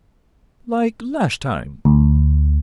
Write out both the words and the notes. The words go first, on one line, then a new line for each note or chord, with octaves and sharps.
"Like last time?"
D2